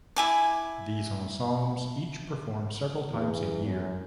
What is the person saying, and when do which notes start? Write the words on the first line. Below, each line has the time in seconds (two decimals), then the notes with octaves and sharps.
These ensembles each perform several times a year.
0.16 E4 G#5 D6
3.11 E2
3.65 F#2